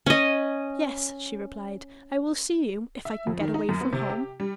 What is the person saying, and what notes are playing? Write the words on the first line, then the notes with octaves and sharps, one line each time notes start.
"Yes," she replied; "I will see you, if I can get away from home."
C#4 D#5
E5
F2
D#3
D#4
F#2
B3
C3
G4
G3